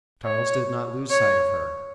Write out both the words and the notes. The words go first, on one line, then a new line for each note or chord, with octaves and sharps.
Charles did not lose sight of her.
C#5
C#5